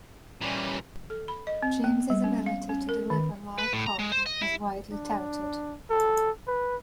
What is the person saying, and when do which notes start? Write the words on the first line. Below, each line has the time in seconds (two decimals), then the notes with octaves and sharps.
James' ability to deliver live copy is widely touted.
0.41 A#2 E3 G3 C#4 G4
1.10 A4
1.28 B5
1.47 D#5
1.63 C4
1.84 B3
2.10 G3
2.24 C#4
2.46 F5
2.69 C#4
2.89 A#4
3.10 D#3
3.59 B4
3.73 A2
3.86 A#5
3.99 G#3
4.12 C5
4.26 D#5
4.41 E4
4.92 D4
5.90 A4
6.47 B4